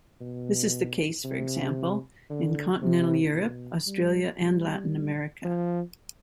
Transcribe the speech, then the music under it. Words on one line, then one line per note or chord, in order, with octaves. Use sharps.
This is the case, for example, in continental Europe, Australia and Latin America.
B2
C3
D3
C3
B2
G3
G3
F3